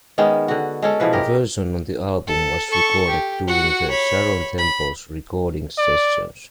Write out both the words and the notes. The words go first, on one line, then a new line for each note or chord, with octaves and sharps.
The version on the album was recorded during the Sharon Temples recordings sessions.
D#3 G#3 B3 C#4
D3 F#4
G#3 C#4 A4
B2 E3 F3 B4
G4 A#4 D#5
A4
A4 C#6
G4
F#4 F#5
C#5 B5
B5
D5